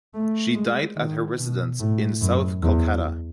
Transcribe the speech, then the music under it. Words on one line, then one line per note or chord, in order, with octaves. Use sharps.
She died at her residence in south Kolkata.
A3
G#3
D#3
B2
A2
F#2
E2